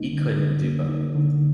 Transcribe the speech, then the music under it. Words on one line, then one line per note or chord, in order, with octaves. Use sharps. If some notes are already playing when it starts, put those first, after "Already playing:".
He couldn't do both.
Already playing: D3 G3 A#3 D#4
D3
G3
A#3
D#4
D3